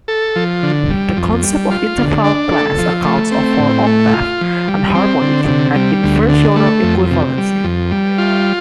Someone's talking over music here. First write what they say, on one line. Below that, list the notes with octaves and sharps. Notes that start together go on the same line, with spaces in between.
The concept of interval class accounts for octave, enharmonic, and inversional equivalency.
A4
F3
D3
G3
F2
G3
F4
D3
D4
A4
F3
A3
C4
A2
A3
F4
F3
G3
C4
D3
C3
G3
D2
D3
A3
F2
C3
G3
F2
G3
F4